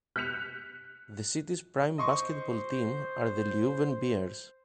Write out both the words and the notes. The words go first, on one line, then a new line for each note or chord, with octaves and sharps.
The city's prime basketball team are the Leuven Bears.
F#6 G6 B6 C#7 F7
C5 D#5 C6 C#6